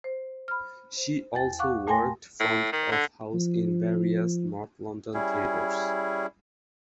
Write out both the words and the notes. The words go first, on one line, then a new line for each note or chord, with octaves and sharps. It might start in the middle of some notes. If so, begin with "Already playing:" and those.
She also worked front of house in various north London theatres.
C5
B5 F6
C5
E2 G5 A6
F5 F#5 C#6 D6 F#6
A#2 A3 G5 G#5 C6 A#6
A2
D#3
D3
F3
G3 C#4 E4 G#4